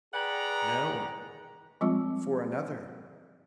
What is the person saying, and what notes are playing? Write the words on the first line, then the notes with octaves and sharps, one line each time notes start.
"No; for another."
G#4 B4 D5 F#5 G5 A#5
F3 G3 G#3 C4 F4